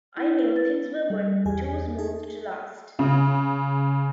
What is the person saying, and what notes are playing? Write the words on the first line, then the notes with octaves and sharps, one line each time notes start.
I knew things were going too smooth to last.
E4
B4
A6
G3
E2 G4 G#4 G#5
D#4 G#4 A4
C#3